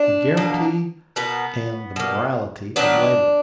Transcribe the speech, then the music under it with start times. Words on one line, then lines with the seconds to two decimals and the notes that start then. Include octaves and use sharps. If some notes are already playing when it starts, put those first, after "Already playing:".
"The guarantee and the morality of labor."
Already playing: D4
0.37 B2 A#3
1.16 B2 A#3 B3
1.96 B2 A#3
2.76 D#3 F#3 B3 D4